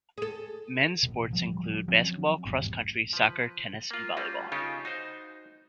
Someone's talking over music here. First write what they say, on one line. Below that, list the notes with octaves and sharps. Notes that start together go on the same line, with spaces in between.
Men's sports include basketball, cross country, soccer, tennis and volleyball.
G#4 A4
A1 B2
D1 F3 G3
F3 F#3 C4 C#4
G#1 E2 G2 B2
F3 B4
A#3 F4
G3 A3 C#4 F4 F#4
C#3 C#4 D#4 F4 G4 A4
D#4 F#4 C5